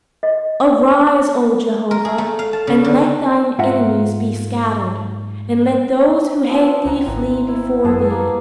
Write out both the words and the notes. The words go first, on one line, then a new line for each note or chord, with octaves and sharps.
Arise, O Jehovah, And let thine enemies be scattered, And let those who hate thee flee before thee.
D#5
A#4
G#4
A3
F5
A5
C#3
D3
G#2 F4 E5 F#5 A#5
F3 C4
C#2 E4 F#5 A#5
G#1
E4
F#2 B3 G#4 A4
A#3